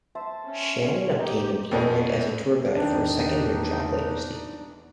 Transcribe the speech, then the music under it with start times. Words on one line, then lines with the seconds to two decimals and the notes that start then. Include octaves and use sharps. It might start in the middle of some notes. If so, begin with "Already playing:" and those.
Shannon obtains employment as a tour guide for a second-rate travel agency.
0.15 C5 E5 A5
0.47 C#4
1.19 D#4 G4
1.71 F2 F3 B3 C#4 D#4
2.77 E2 D#3 D4 D#4